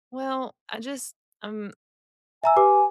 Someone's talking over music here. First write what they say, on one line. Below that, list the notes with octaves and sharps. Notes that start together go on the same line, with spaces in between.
"Well, I just I'm
E5 G#5 A#5 E6
G4 B4 D6